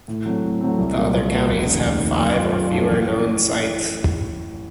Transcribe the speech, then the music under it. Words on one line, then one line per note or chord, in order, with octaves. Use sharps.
The other counties have five or fewer known sites.
A2
F#3 A3 C4
A2
F#3 A3 C4
C2
A#2 F#3 A#3 F4
C2
A#2 F#3 A#3 F4
F1
D#2 C#3
F1
D#2 C#3
F#2
F3 A3 C#4 F4
F#2
F3 A3 C#4 F4
A1